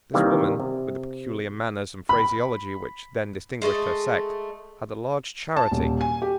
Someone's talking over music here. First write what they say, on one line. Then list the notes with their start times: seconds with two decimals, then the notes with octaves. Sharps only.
This woman, with the peculiar manners and phraseology which then distinguished her sect, had a large charity.
0.14 C3 D#3 E3 G3 A#3
0.60 C3
2.09 B5
3.62 G#3 A3 A4 D#5
5.57 A5
5.71 D#1
6.01 G#5
6.22 G4